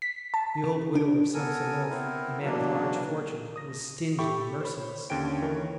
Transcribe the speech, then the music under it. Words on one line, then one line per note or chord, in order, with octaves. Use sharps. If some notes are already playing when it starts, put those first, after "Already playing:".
The old widower Samsonov, a man of large fortune, was stingy and merciless.
B6
A5
C#3
D4
B3 A4 A#4 G#5
B3 C4 E4 A#4
B2 E3 F#3 A#3 D4
D#6 A#6
G4 A4 E5 G5 B5 C#6
C5 C#5 B5
D#2 D3 C#4 G5 D7
D#3 E3 A#4 C#5